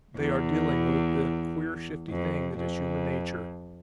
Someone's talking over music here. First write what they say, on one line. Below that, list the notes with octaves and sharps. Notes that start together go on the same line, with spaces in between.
They are dealing with the queer, shifty thing that is human nature.
E2
F2
F2